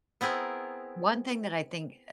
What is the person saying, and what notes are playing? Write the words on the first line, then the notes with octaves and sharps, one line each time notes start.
one thing that I think,
B3 C4 E4 G#4 A#4